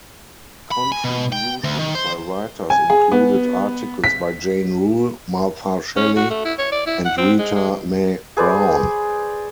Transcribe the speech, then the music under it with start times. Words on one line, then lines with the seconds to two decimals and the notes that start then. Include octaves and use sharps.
Contributions by writers included articles by Jane Rule, Martha Shelley, and Rita Mae Brown.
0.71 B5
0.92 G#5
1.04 B2
1.32 G5
1.64 D2
1.79 D#3
1.95 C5
2.70 G#5
2.90 G#4
3.12 B3
4.04 B6
5.97 C#4
6.16 F#4
6.30 A3
6.45 E4
6.59 C#5
6.72 D5
6.86 E4
7.05 F#5
7.18 C4
7.38 G#3
7.55 G#3
8.37 G#4 B4 C5 D5